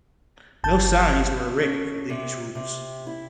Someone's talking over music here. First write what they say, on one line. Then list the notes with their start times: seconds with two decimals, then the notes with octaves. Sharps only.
No signs were erected for these routes.
0.64 G1 A5 G6
1.59 C#4
2.10 C3
2.55 C3
3.07 E4